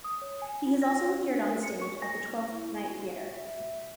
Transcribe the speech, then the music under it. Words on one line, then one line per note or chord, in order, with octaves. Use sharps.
He has also appeared on stage at the Twelfth Night Theatre.
D#6
C#5
G#5
F4
A#6
D4
A#4
C#7
C#6
A#6
E4
F#4
E5